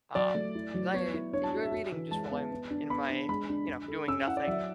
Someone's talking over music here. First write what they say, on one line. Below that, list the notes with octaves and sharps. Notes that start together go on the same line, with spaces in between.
um, 'cause I enjoy reading just while I'm in my you know, doing nothing.
F#3 D5
A3
E4
F#3
B3 C#5
E4
D4 C#5
A5
F#4
E5
F#4
E3
G#3 A5
B3
B3
D4
B3 B5
D4
G#3 B5
D4
D4
A4
C#4 E6
E4 F#5
D5
F#3 E5